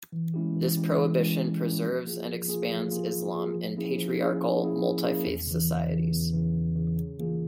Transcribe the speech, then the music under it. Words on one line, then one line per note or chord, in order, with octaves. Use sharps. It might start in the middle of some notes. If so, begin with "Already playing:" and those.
This prohibition preserves and expands Islam in patriarchal, multi-faith societies.
E3
G#3 C#4 E4 G4
E3
G#3 C#4 E4 G4
E3
G#3 C#4 E4 G4
E3
G#3 C#4 E4 G4
F3
A#3 F4 G#4
F3
A#3 F4 G#4
F3
A#3 F4 G#4
F3
A#3 F4 G#4
F3
A#3 C#4 E4 G#4
F3
A#3 C#4 E4 G#4
F3
A#3 C#4 E4 G#4
F3
A#3 C#4 E4 G#4
E2
C#3 E3
E2
C#3 E3
E2
C#3 E3
E2
C#3 E3
C#3
E3 A#3 F4 G#4